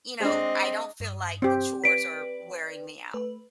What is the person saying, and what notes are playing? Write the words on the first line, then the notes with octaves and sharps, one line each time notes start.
you know, I don't feel, like, the chores are wearing me out
G#3 C4 D4 D#5
G2 D#6
C4 G4
B4 D5 G5 B6 D7
A3 B4